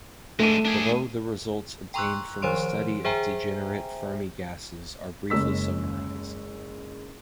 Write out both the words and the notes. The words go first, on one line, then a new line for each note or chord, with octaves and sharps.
Below the results obtained from the study of degenerate Fermi gases are briefly summarized.
G#3 A3 D4 D#7
D4 G#4
G5 A#5 C6 C#6 E6 F#6
D#3 F3 C5 C#5 C6 D7
G#4 C5 E5 G5 G#5 A#5
F#1 G#3 C#4 E6 B6